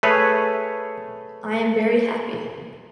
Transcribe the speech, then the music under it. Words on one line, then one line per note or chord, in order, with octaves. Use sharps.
I am very happy.
A3 G#4 B4 C#5 E5